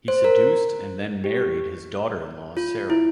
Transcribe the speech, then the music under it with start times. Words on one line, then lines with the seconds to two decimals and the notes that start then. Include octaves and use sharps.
He seduced and then married his daughter-in-law, Sarah.
0.08 C5
0.24 A#4
1.24 G4
2.57 F4
2.90 E4